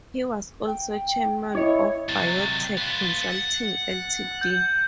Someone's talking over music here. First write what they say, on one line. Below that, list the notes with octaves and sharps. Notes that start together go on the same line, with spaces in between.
He was also chairman of Biotech Consulting Ltd.
G5
E4 C#5 D#5
C3 F#3 A6
B3 F4
F#5
G6